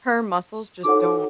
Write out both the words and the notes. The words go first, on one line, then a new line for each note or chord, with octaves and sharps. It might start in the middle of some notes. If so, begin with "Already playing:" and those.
Her muscles just don't
D#4 F#4 A4 C#5 F#5 D6